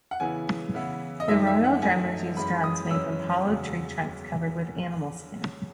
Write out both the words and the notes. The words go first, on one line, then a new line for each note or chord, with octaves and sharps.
The Royal Drummers use drums made from hollowed tree trunks covered with animal skins.
F#5
C#3 E3 B3 E4 G#5
C#3 E3 B3 E4
D#5
F#2 D#3 A3 D#4 E5
E5
F#5
F#2 D#3 A3 D#4 G#5
F#2 E3 G#3 C#4 B5
D#6
F#2 E3 G#3 C#4 E6
E2 C#3 F#3